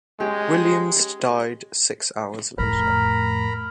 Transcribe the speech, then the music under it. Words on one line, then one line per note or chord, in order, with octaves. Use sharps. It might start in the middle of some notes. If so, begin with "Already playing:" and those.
Williams died six hours later.
G#3 C#4 G4
F2 A2 A#4 A#5 B5